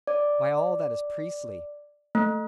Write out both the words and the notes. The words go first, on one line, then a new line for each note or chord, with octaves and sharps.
By all that is priestly!
D5
A3